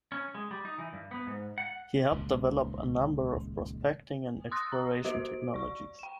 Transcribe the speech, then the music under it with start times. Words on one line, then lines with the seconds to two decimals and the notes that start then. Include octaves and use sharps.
He helped develop a number of prospecting and exploration technologies.
0.12 C#4
0.35 G#3
0.51 G3
0.65 D#4
0.78 E3
0.93 G2
1.11 B3
1.27 G#2
1.58 F#5
2.11 D#1 C#2
4.51 C6 D#6 E6 F#6 A6 A#6
4.72 A#5
5.05 G3 F#4 G4 C5 D7
5.54 D5 C#6
5.99 G5 E7